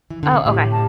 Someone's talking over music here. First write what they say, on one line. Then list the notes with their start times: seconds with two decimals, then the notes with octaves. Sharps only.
Oh, okay.
0.10 E3
0.23 D3
0.34 C3
0.46 A2 G4
0.72 A5